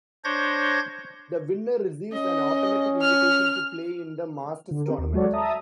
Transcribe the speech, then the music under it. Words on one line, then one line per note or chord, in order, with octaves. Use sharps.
The winner receives an automatic invitation to play in the Masters Tournament.
D4 C5 C#5 G6 G#6 A#6
C#4 D#5
F6
D3
C4 G4 A#4
D#2
F#3 G#3 F#4 A4 C#5 D5
E5 A5 A#5 D#6